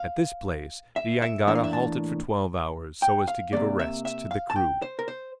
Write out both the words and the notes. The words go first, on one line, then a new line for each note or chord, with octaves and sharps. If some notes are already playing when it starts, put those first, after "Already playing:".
At this place the jangada halted for twelve hours, so as to give a rest to the crew.
Already playing: F5
E5
E5
A2 E3 A#3 D4 E5
F5
E5
A5
G5
F5
C3 F3 A#3 D5
E5
E5
F5
A5
G5
C5
A#4
C5